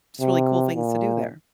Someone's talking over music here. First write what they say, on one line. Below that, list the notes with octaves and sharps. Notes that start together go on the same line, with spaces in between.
just really cool things to do there.
C3
A#2